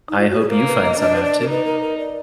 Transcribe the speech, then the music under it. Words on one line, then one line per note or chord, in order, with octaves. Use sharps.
I hope you find some out too.
D#4
F4
F#4
G#4
A#3 A#4
B4
D#5
D4 D#5
B4
D5
A#4
D#4 B4
A#4
A#4
D5